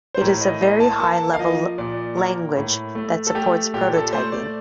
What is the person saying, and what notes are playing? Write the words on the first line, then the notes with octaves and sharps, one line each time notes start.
It is a very-high level language that supports prototyping.
C5
A2 A#4
D#5
A#3 D#5
A5
A#3 A5
F5
F3 D#5
A#2 D5
A#3 A#4
A2
A3
A4
A3 G4
A#2 G4
A4
A3 C5
D5